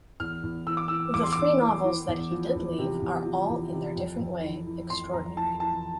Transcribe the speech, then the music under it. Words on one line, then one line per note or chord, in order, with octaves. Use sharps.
The three novels that he did leave are all in their different way extraordinary.
E2 F6
E2
E3 E6
D6
E3 E6
E2 D6
C6
E2 D6
E3
E3
E2
F3
E2
C3
E2
F3
E2
C3
F2
F2
E3
E3
F2 C6
F2 A#5
E3 A5
E3 A5